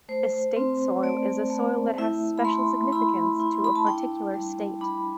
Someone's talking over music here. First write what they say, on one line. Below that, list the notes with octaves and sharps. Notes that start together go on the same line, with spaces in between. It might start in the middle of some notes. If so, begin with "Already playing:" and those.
A state soil is a soil that has special significance to a particular state.
A3 C5
C4
A3 D5
A3
E4 E5
B5
A3 C6
E4 B5
E4
C6
B5
A5
D4 G5
G3
D4 B5